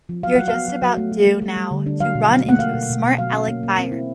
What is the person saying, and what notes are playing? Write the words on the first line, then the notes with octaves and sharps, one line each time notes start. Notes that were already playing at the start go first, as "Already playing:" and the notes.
You're just about due now to run into a smart-Alec buyer.
F3
F#3 F5
F#3 F#5
F5
B3
F#3
F#3
A3
F#3
A3
G3
G3
D3
D4
F#3 F5
B2
F#3
A3 F#5
A#3 F5
B2
B2
B2
F#3 F5
C#4
A#3
A#3
C4
E4